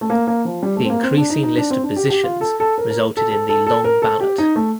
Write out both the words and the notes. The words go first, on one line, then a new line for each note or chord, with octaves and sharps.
The increasing list of positions resulted in the "long ballot".
A3
A#3
A#3
F3
G3
A3
C4
A#3
C4
D4
D#4
D#4
D4
C4
D4
G4
G4
F4
A4
A4
A#4
A#4
A4
A4
A4
A4
A#4
A4
G4
D#4
A3